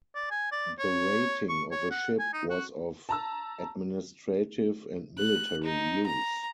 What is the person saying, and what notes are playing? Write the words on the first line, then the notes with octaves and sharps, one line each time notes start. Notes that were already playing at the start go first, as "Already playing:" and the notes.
The rating of a ship was of administrative and military use.
D5
G#5
D5
C#5
C#6
C#5
F#5
G#5
D#4
F#4
A5 A#5 E6
F#6
D#4
A#5